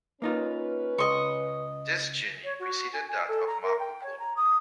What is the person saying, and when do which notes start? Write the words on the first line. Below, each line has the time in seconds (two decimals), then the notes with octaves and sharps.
This journey preceded that of Marco Polo.
0.22 A#3 C#4 D#4 F4 B4
0.98 C#2 D#5 C6 C#6
2.44 C#5
2.59 F#4
2.93 G#5
3.08 G#5
3.28 A4
3.47 A#5
3.63 A#4
3.79 G5
4.03 C#5
4.19 A#5
4.36 D#6